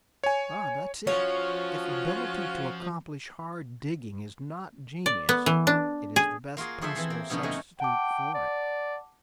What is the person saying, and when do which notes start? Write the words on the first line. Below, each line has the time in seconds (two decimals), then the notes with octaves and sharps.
Ah, that's it; if ability to accomplish hard 'digging' is not genius, it is the best possible substitute for it.
0.24 C#5 G#5
1.07 F3 C#4 F4 F#4 C#5
5.06 D5
5.29 B3
5.46 E3
5.67 D4
6.16 G#4
6.57 A#3 F4 F#4 G#4
6.81 F3 G#4 A4 C5 E5
6.96 E3 C4
7.10 A#3
7.30 B2 D3 F3 B3 C#4 D#4
7.43 F2 A3 F#4 D#5 G#5
7.80 F#5 G5 A5 D6
8.35 D5